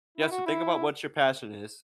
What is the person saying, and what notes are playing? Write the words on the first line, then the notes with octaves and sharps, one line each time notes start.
you have to think about what your passion is,
E4
F#4
E4